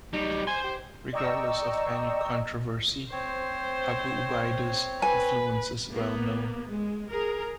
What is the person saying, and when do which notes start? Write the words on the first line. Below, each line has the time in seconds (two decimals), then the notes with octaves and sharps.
Regardless of any controversy, Abu Ubaida's influence is well known.
0.13 F#3 G3 D#4
0.47 C5 G#5 C6
0.64 G4
1.13 D5 D#5 G5 A#5 C#6 E6
3.12 C4 C5 C#5
5.02 B4 G#5
5.91 A#3 B3
6.70 G#3
7.11 G#4 A#4